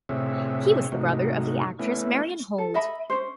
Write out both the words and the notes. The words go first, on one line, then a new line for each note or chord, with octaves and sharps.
He was the brother of the actress Marianne Hold.
A2 C3 C4 G#4 C#5 E5
G#2 C3 A3 D#4 F#4
A3 B3 C#4 E4
A4
D#5 E5 B5
C#4 C5